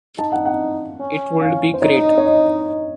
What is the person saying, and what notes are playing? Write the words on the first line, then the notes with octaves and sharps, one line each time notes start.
It would be great.
D#4 A5
F#5
F#5
C#4
F5
C5
D#4 C#5
D#5
D#5
C#5
D#5